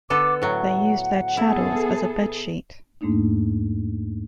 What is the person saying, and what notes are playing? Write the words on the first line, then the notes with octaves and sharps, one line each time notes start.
They use their chadors as a bed sheet.
D3 B3 A4 D6
A2 F#3 F#5
B3 E4 G#4 A4
E2 G#2 A3 A#3 D4 D#4